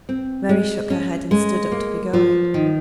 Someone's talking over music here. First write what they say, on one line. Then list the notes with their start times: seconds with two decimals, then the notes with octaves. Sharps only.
Mary shook her head, and stood up to be going.
0.09 C4
0.49 G#3
0.90 C#4
1.31 G#3
1.72 A#3
2.13 F3
2.54 D#3